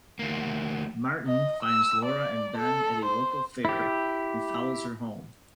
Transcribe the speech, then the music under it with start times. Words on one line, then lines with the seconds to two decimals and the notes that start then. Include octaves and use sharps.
Martin finds Laura and Ben at a local fair, then follows her home.
0.19 D2 A#3
1.27 D#5
1.63 E6
2.05 D5
2.57 A4
3.05 C5
3.65 E4 G4